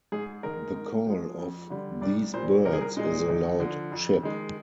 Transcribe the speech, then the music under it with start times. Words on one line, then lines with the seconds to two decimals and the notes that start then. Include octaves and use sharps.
The call of these birds is a loud "chip".
0.12 G#2 G#4
0.43 D#3 G#3 A#4
0.75 G#2
1.07 F3 G#3
1.39 F2
1.70 D3 G3
2.01 C2 D5
2.34 A#2 G3 C5
2.65 C2 A#4
2.73 G#4
2.82 A#4
2.97 A#2 G#3 D#4
3.29 D#2
3.60 D3 F3
3.92 F2
4.23 D#3 G#3